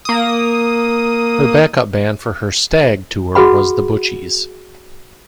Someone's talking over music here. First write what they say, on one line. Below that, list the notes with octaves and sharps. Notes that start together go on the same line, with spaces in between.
Her backup band for her "Stag" tour was The Butchies.
A#3 D#6
F#4 G#4 B4 F#5 B5